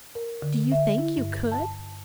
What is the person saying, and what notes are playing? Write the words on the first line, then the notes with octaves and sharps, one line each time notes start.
"Do you think you could?"
A#4
D3
E5
E4
G2
A5